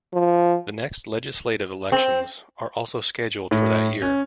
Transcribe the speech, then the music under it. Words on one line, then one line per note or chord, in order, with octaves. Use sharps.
The next legislative elections are also scheduled for that year.
F3
C4
A2
C#4